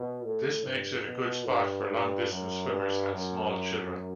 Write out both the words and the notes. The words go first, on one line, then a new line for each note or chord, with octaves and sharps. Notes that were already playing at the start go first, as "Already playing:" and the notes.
This makes it a good spot for long-distance swimmers and small children.
Already playing: B2
A2
G2
B2
G2
F#2
G2
F#2